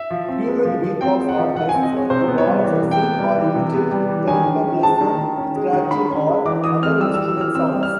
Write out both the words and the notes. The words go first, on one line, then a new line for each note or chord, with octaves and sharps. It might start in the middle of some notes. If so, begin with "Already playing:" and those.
"Human Beatbox" artists would also sing or imitate turntablism scratching or other instrument sounds.
Already playing: E5
F3
C4
G#3
F3
F3
C4 G5
G#3
F#5
F3
F3 F#5
G#5
C4
D#5
G#3 C#5
C3 C5
B3
C#5
G3
E3
C3
G5
B3
G3
E3
C3
B3
G3
E3
D#3 G#5
D#3
C#4
G#3 A5
D#3
D#3
C#4
G#3
D#3
D#3 B5
C#4
G#3
E3 D6
E3 D#6
C4 F6
G3 E6
E6
E3
E6
E3 F6
C4 E6
G3
F6